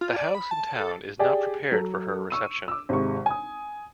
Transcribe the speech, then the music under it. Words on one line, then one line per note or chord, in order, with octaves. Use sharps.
The house in town is not prepared for her reception.
F4
D5
B5
A5
A4
G4 G#4 D5 G5 G#5
F#3 A4
C#6 E6 D#7
D6 E6
G#1 C3 G#3 C#6
G#5 D#6